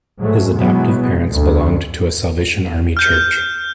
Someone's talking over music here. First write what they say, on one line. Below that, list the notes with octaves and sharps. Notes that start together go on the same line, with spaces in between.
His adoptive parents belonged to a Salvation Army church.
G#2 F#3 G#3 A3
B2 E3 F#3 G#3 B3
D2
F6 G6